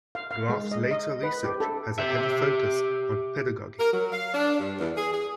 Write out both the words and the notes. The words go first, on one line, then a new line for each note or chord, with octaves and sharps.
Graff's later research has a heavy focus on pedagogy.
F5
F5
G#3
D#5
D#5
B4
G4
A4
G4 E5
A#4
F#3
F5
D4
G2
E2
G#4
G#4